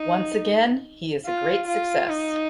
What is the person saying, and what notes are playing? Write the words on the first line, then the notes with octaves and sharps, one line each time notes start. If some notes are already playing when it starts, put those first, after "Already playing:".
Once again, he is a great success.
Already playing: D#4
F4
F4
D#4